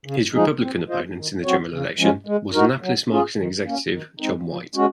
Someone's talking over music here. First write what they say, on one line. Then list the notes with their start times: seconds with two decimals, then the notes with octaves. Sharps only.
His Republican opponent in the general election was Annapolis marketing executive John White.
0.06 C#3
0.34 F3 G#3 D#4 G#4
0.61 C4
0.89 F4 C5 D#5
1.17 D#3
1.44 F#3 C4 F#4 C#5
1.72 C#3
1.99 F3 G#3 C#4
2.27 G#3
2.54 D#4 F#4 A#4
2.82 F#3
3.10 C#4 F4 G#4
3.38 D#3
3.65 A#3 C#4
3.92 D#3
4.20 G#3 C4 D#4
4.47 F3
4.75 G#3 C#4 F#4